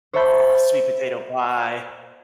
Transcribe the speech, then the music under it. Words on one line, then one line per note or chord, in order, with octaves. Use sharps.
Oh, sweet potato pie.
C5 C#5 E5 A5 B5 G6